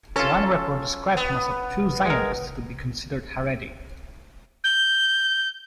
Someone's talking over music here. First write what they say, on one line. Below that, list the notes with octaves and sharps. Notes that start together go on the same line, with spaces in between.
One report described him as too Zionist to be considered Haredi.
C#4 F4 A4
B3
G#3 A#4
G6